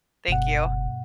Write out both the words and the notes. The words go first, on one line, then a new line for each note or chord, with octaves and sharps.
Thank you.
F#1 G2 B2 F#5